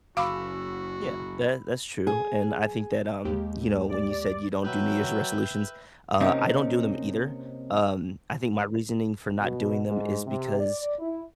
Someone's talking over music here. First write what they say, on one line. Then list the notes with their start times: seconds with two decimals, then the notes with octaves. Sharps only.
Yeah. That i that's true, and I think that, um, you know, when you said you don't do New Year's resolutions, uh, I don't do them either. Um, I think my reasoning for not doing them is because
0.17 F#1 F#4 F5 B5 D6 E6
2.07 G#4
3.25 D#2 G#3 A#3 G4
3.89 D5
4.64 F#3 B4 E5 G5
6.20 C3 A#3 C4 C#4 D#4
9.41 B2
9.88 G#2
10.27 C3
10.60 D5
10.99 E4